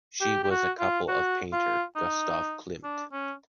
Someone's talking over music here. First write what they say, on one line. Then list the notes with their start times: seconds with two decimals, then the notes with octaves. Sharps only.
She was a couple of painter Gustav Klimt.
0.21 G4
0.44 G4
0.51 F#4
0.79 F4
1.08 F#4
1.53 F4
1.95 D#4
2.84 D4
3.12 C#4